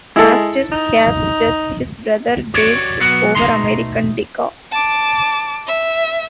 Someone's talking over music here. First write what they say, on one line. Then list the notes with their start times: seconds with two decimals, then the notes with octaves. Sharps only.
After Kapp's death, his brother Dave took over American Decca.
0.16 G#3 E4 A4
0.72 D#4
2.54 F#4 G4 C#5 D5
3.00 B1 F#3 B3 F#4
3.35 B2 A3 D#4 A#5 C6
4.72 A5 D6
5.67 E5